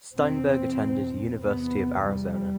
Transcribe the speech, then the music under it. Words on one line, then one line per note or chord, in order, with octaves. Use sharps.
Steinberg attended University of Arizona.
E2 B2 C4
E2 C3 B3
G3